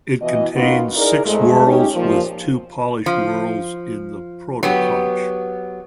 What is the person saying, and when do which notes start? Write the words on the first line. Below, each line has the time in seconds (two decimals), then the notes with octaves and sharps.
It contains six whorls with two polished whorls in the protoconch.
0.22 B2 E3 D#5
0.55 A#3 B3 C#4 D#4 F4 F#4
0.95 D#4 E4 G#4 A#4 D5
1.25 F2 G#3 A3
1.66 C#4 D#4 G4
1.95 A#2 F3
3.06 F3
4.63 F#3 B3 G4